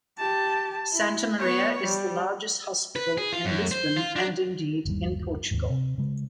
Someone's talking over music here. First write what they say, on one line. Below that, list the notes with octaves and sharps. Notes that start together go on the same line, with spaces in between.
Santa Maria is the largest hospital in Lisbon and indeed in Portugal.
G4 A5
E4
B3 C#5
G3
B4
G#4
F4
F#2
C5
F4
D4
G1 D#2 G3
D#2 G#2
C3
C#3 G#3